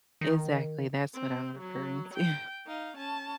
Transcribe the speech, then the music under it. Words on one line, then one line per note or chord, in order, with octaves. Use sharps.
exactly, that's what I'm referring to.
D#3
C4
F#3
G5
D#4 F5
C#4 A5